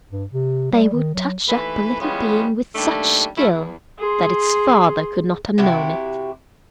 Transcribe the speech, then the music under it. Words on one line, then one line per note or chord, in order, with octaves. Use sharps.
They would touch up a little being with such skill that its father could not have known it.
G2
C3
G3
D#3
F#3
D#2 E3 A3 B4
E3 G3 G#3 B3 C#4 F4
D#2 G3 A3 D4
F3 A3 E4
E2
G#4 C6
C3 E4 F#4 G4